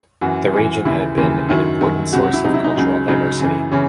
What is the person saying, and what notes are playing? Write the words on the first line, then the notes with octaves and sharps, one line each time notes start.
The region had been an important source of cultural diversity.
F#2 E3 F#4
F#2 E3
D#2 C#3 E3 E4
D#2 C#3 E3
F#2 D#3 F#3 E4
F#2 D#3 F#3
C#2 C3 F#3 F#4
F#4
E4
C#2 C3 F#3 D#4
E4
D#4
C#2 C#3 F#3
C#2 C#3 F#3 D#4
F#2 C#3 E3
C#3 E3 C#4